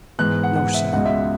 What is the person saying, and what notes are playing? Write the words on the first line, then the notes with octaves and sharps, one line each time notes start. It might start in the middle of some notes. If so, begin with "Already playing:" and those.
"No sir."
G#2 E3 G#3 B3 F#6
F#5
F#5
E5
C#2 B2 G#3 F#5
E5